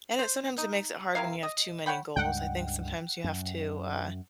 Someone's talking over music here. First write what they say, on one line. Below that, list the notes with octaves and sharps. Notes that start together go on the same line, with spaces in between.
And it sometimes it makes it hard when you have too many goals. I think sometimes you have to, uh
C5
D#4
C3 E4 A#4 F5
D#5
C#5 F#5 G5 B5
C#2 G2 G#3 F#5 G5
F#2